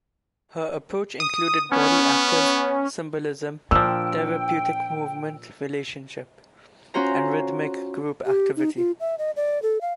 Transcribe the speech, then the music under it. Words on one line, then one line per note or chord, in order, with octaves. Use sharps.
Her approach included body active, symbolism, therapeutic movement relationship, and rhythmic group activity.
D#6
B3 C#4
A#2 F3 D4 G5 E6
C#4 F4 F#4 C5 A#5
G4
D#4
F4
E5
D#5
D5
A4
F5